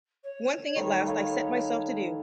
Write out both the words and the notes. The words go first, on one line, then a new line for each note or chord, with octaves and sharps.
One thing at last I set myself to do.
C#5
D#3 G3 A3
A4 B4 F5